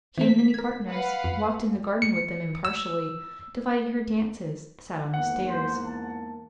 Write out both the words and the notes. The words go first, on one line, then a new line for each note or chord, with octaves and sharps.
She had many partners, walked in the garden with them impartially, divided her dances, sat on the stairs.
E3 A3 B6
A#4 G#6
B4 F5 F#5
F2
C#7
E6
E2 G#2 A#3 F#5
C5
A5